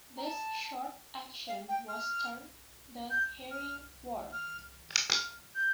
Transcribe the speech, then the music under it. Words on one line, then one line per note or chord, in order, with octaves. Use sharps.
This short action was termed 'The Herring War'.
A#5
A5
F5
G5
F6
G6
F6
F6
F6
G6